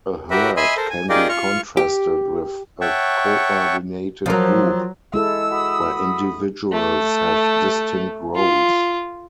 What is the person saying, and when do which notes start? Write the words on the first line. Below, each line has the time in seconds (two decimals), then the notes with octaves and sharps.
A herd can be contrasted with a coordinated group where individuals have distinct roles.
0.31 F#4 G4 A#4 B4 E5
0.57 D#5 E5 G#5 B5 C6
0.77 A4 A#4 C5
0.90 G#5
1.09 D#4 F4 G4 G#4 A#4 D5
1.29 F4 C#6 F6
1.77 G4
2.81 C#5 E5 F#5 G5 A5 C#6
4.26 F3 F#3 A#4
5.14 G#3 E4 A4 E6
5.50 F#4 B5 D#6
6.72 A3
8.35 F4